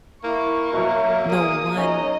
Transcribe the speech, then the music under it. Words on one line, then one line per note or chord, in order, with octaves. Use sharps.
no, one
A#3 E4 C#6
B2 F#3 E5
G#4 D5 D#6
F#3 C#4 D#4 C#5 D#5